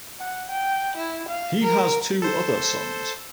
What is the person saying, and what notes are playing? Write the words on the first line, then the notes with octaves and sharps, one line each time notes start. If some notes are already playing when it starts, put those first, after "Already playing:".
He has two other sons.
F#5
G5
E4
F5
A#4
A4 C5